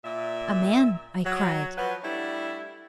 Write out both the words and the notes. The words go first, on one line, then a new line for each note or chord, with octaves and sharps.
"A man?" I cried.
A#2 E5
F#3
F3 F#3 B4
G3 A3 D4 E4